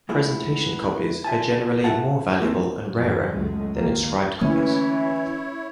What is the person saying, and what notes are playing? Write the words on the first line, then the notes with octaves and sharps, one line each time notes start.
Presentation copies are generally more valuable and rarer than inscribed copies.
G#3 A3 B3 E4 F4 G#4
F4 E5 G#5 A5
A4 D#5 E5 F#5 A5
A3 A#3 C4 A4
F#2 C#3 E3
C#2 F#2 F#3 G#3 A3
F#1 B1 D#3 A#3
D3 E3 A3 A#3 C#4 E4 C#5